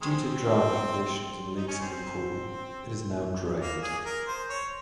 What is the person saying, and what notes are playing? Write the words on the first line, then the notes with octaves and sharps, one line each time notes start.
Due to drought conditions and leaks in the pool, it is now drained.
D#3 G#3 C4
D#4
C#4
C4
A#3
G#4
A#4
C5
C#5